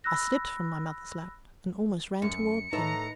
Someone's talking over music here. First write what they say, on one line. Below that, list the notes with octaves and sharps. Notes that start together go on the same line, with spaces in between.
I slipped from my mother's lap and almost ran toward them.
B5 E6 F#6 A#6
F#2 C#7
A2 D#4 A4 B4 A#5